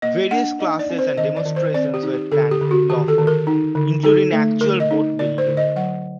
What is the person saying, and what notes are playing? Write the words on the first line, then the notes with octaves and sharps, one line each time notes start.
Various classes and demonstrations were planned to be offered, including actual boat building.
A#3 D#5
D4 F#5
D#4 D#5
D5
C4
C5
D#3 D#5
D5
D#3
C5
C4 D5
G4
D#4
G4
D3 A4
G4
D3
F#4
D#3 G4
A4
D#3
A#4
D#4
D3
D#4 A4
A3
D3 A#4
D#5
D#4
D3 D5
C5
D3
D#5
F#3 F#5